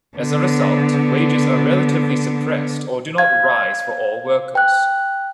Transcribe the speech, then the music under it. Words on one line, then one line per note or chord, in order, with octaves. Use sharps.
As a result, wages are relatively suppressed or do not rise for all workers.
D3 B3
F5 G#6
G5 F#6